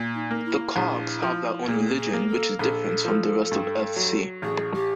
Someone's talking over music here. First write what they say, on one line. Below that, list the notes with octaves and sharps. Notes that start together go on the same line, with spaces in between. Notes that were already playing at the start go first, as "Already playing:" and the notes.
The Kargs have their own religion which is different from the rest of Earthsea.
Already playing: A#2
D#4
A#3
E4
A#1 E4
F3
A#2 G#4
G#4
A#3
A4
A#1 A4
F3
G2
F#3
A1 G#4
G4